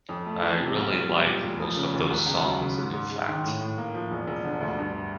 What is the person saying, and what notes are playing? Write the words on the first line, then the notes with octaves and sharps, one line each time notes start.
I really like most of those songs, in fact.
F2
A3
E3
C3
B1
B1
G3
A#2
F1
F3
C#3
D#2
C#2
C#2
F#3
C#3
G#2
G#2
G#3
D#3
A2
A2
A#3
F3
E1
E1
D3
D2
G2